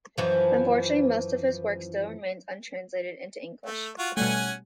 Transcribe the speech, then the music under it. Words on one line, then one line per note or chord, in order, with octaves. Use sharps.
Unfortunately most of his work still remains untranslated into English.
F#2 E3 F3
A3
F4 F#4
B2 G3 A3 C#4 F#5 G#5